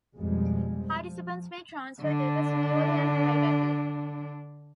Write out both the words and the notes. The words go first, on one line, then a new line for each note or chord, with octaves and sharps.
Participants may transfer data securely and privately.
F2 B2 F3 G3 G#3
F3
D3 D4